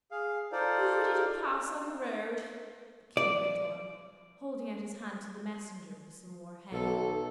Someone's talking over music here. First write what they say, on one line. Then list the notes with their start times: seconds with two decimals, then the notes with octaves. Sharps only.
'Who did you pass on the road?' the King went on, holding out his hand to the Messenger for some more hay.
0.11 G#4 F5
0.52 D#4 F4 A4 C5 D5 F5
3.17 D5
6.73 B1 A4